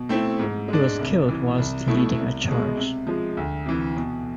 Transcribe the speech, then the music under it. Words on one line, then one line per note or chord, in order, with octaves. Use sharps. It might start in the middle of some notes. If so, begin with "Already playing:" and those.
He was killed whilst leading a charge.
Already playing: B2
A3 C4 E4
G#2
G#3 D4
C2
C3 E3
C2
B2 A3 E4
C2
B2 G#3
C3
F3 G#3
D2
C3 E3
B2